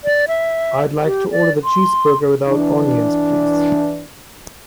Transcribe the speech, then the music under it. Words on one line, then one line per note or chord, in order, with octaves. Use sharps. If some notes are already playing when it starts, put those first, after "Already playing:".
I'd like to order the cheeseburger without onions, please.
D5
E5
G4
D5
C6
E3 D4